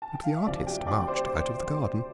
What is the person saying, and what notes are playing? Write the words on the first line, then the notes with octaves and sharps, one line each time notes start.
But the artist marched out of the garden.
A5
G5
F5
E5
D2 C3 F3 D5
G4 G5
D5 D6
C5 C6